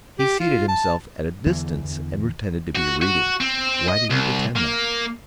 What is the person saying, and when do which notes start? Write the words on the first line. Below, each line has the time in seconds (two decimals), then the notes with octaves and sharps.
He seated himself at a distance and pretended to be reading; why did he pretend that?
0.19 G4
0.40 F4
0.68 A5
1.46 E2 D3 E3 B3
2.75 F#4
3.02 F#4
3.41 C4
3.88 D#5
4.10 C2
4.56 A#3